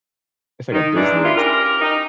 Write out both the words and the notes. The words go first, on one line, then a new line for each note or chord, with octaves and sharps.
it's, like, a business
D#3 D#4
G#2 E3 D4
E4 F4
C#4 G4 A#4
D#4